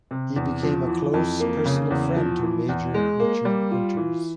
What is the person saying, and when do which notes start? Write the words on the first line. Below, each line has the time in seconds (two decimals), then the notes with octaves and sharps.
He became a close personal friend to Major Richard Winters.
0.11 C3
0.36 E2
0.63 F3
0.88 E3
1.14 F2
1.40 A#3
1.66 C#3
1.91 E2
2.16 F3
2.43 E3
2.69 E2
2.94 G#3
3.20 A#3
3.45 G3
3.71 F4
3.97 E3